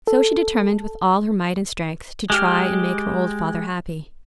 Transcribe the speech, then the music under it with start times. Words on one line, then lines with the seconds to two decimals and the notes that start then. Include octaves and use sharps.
So she determined with all her might and strength to try and make her old father happy.
0.07 A4
2.30 G#3 G4 F6